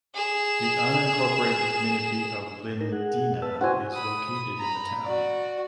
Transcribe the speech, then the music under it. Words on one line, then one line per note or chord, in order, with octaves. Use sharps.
The unincorporated community of Lindina is located in the town.
G#4 E7
D#4 A#4
G#4 F#5
B4 A5 E6
E4 F#4 C5 G#5
B5 D#6
A#5 B5
F#4 D5